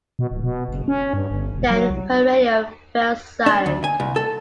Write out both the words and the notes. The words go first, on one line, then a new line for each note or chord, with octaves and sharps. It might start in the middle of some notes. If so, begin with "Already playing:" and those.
Then her radio fell silent.
B2
D1
B2
F#1
C#4
G2
G1
E1
F#3
C2
D4
D2
G#5
C2
A4